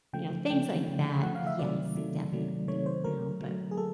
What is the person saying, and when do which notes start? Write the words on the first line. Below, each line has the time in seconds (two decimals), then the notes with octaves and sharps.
you know, things like that, yes, definitely, you know? But,
0.13 C#3 F3 A3 G5
0.50 C#3 F3 A3 G5
0.86 C#3 F3 A3
1.23 C#3 F3 A3 F#5
1.35 F5
1.47 E5
1.58 C3 D#3 F#3 A3 D5
1.96 C3 D#3 F#3 A3
2.32 C3 D#3 F#3 A3
2.68 C3 D#3 F#3 A3 C#5
2.86 C5
3.04 D3 F#3 A3 A#4
3.41 D3 F#3 A3
3.71 G#4
3.77 A3 A4